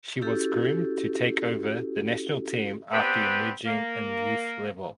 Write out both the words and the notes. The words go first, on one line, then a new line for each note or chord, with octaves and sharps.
She was groomed to take over the national team after emerging in youth level.
C#4 E4 F#4 G4 A4
B3 C4 D4 G4 B4
A#3